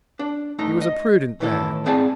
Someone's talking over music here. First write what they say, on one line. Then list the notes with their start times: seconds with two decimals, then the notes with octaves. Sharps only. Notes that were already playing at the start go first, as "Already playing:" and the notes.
He was a prudent man.
0.19 D4
0.58 G2 A3 D#4 A#5
0.81 D#5
1.40 B1 A2 D#3 E3 E4 A4
1.86 G#2 C4 G#4 D5 A5